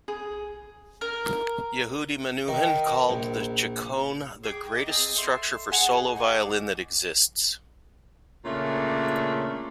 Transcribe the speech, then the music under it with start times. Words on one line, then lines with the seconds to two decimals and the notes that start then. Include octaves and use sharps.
Yehudi Menuhin called the Chaconne "the greatest structure for solo violin that exists".
0.08 G#4
1.01 A#4
2.48 D#3
3.09 A#1
4.43 G#4 G5 D6
4.72 D#5 A#5
4.88 C4 G#4 D#5 A5
5.16 A4 E5 C6
5.72 B3 F#4 G#4 G#5
6.16 D#4 F#4 G#4 D5
8.45 A#2 C#3 A3 C#4 D4